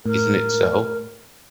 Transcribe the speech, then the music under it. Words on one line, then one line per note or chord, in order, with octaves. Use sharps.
Isn’t it so?
A2 A#4